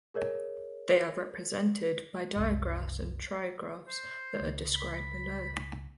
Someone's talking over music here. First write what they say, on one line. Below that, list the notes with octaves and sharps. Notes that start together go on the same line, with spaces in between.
They are represented by digraphs and trigraphs that are described below.
G#4 A#4 C#5 D#5
F#1 C2
C5
C#2
B5